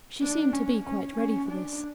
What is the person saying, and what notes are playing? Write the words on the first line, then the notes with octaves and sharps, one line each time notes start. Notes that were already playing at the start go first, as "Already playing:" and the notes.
She seemed to be quite ready for this.
D4
C#4
C#4
C#4
D4